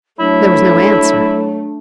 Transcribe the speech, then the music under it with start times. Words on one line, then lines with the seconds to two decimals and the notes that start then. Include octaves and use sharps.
There was no answer.
0.20 F#3 A3 D4 E4 C#5